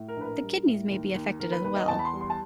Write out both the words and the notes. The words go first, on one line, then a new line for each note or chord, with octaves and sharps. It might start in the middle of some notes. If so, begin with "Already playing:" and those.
The kidneys may be affected as well.
Already playing: A2
A#4
A#1 B4
A#4
G3
A2
D#2
D#2
D#2 A#4
B4
D#2 B4
D#5
E2 A5
B5
C6
G3
C6
A5